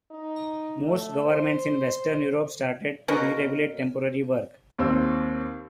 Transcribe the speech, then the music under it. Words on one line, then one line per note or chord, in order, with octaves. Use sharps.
Most governments in Western Europe started to deregulate temporary work.
D#4
A3
C5
B2 A#3 C#4 A#4
D#2 C4 E6